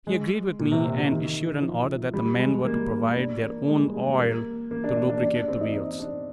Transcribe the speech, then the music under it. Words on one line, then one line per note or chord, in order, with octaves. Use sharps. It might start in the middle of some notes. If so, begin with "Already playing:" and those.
He agreed with me and issued an order that the men were to provide their own oil to lubricate the wheels!
G#3
A#2
C3
C3
C3
D#3
F3
G3
G#3
A#3
D4
A#3
G#3
G3
G#3
G#3
A#3
A#3
D4
D4
D4
D4
D4
C4
D#4
D#4
D4